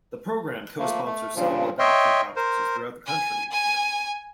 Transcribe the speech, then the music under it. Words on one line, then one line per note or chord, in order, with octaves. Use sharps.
The program co-sponsors several adoption conferences throughout the country each year.
F3 A3 A#3
A3
G2 A#2 C#3 F3
C#5 D#5 E5 G5 C6
A#4 C5
G#5
G#5